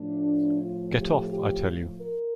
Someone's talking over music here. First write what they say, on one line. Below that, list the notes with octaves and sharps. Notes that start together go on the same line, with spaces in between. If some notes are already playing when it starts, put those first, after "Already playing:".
Get off, I tell you.
Already playing: A2 F3 A3 D4
F4
G4
G4
A#4